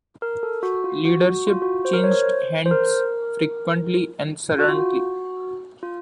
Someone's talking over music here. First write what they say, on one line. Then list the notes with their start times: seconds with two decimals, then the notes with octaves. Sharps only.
Leadership changed hands frequently and suddenly.
0.22 A#4
0.43 A4
0.63 F#4
0.84 F4
1.05 F#4
1.26 F#4
1.47 F4
1.62 F#4
1.85 C5
1.93 A#4
2.04 C#5
2.09 C5
2.66 C5
2.71 A#4
4.58 F#4
4.69 F4
4.78 F#4
5.83 F4